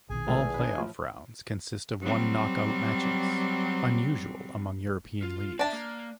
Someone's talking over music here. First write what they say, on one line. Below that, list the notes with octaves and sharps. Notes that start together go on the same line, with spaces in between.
All playoff rounds consist of one-off knockout matches, unusual among European leagues.
A#1 B2 D#3 G#4 G#5
E2 F3 G#3 A3
D4 B4
A2 E3 F3
F#3 G3 C4
F4
C4 D4 E5 A5
A#3